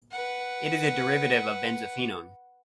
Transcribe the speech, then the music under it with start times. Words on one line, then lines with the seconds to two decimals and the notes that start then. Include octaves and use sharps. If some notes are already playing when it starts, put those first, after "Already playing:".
It is a derivative of benzophenone.
0.12 B4 F#5